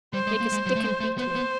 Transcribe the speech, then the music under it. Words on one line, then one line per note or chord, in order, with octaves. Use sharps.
Take a stick and beat me.
G3 C5
G#3
A#3
G#3
F#3
A3
G#3
A3
B3 C5
B3